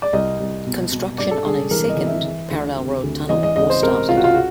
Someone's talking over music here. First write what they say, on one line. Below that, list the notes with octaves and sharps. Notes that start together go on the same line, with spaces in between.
Construction on a second, parallel road tunnel was started.
D5
C2 D#5
C2
B2
B2
G2 D5
A4
G2 G#4
E3 A#4
D#5
E3
E5
E3
D2
C3
D2
E3 D#5
D#5
C#2 D#5
C5
C3 A#4
C#2 F4
F#4
F4
F#4